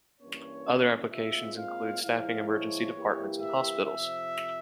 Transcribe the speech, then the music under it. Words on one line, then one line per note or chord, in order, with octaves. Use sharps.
Other applications include staffing emergency departments in hospitals.
G2 E3 A#3 C#4 C#5
A#2 G#3 C4 F4 E5
F5
A#2 F3 G#3 E4 F5
C#5
E3 A#3 E4 G4
E5
F2 C3 F3 E5